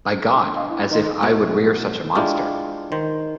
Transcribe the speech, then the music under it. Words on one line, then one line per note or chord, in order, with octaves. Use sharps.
By God, as if I would rear such a monster!
G1
D#5 F5
E4
D#3 D#5 C6
B2 A3 F#4
G#3 D4 E4 F4 G4
D#3 C5